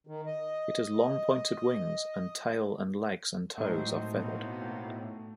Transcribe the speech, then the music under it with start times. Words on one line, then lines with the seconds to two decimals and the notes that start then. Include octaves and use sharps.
It has long pointed wings and tail and legs and toes are feathered.
0.07 D#3
0.26 D#5
3.58 A2 F#3 G#3 A3 C4 D#4 C5
4.13 B2 A#3